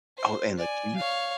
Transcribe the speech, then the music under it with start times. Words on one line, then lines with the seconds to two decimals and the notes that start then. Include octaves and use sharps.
Oh, and the cheese.
0.17 C5
0.58 D5 G#5
0.96 C#5 F5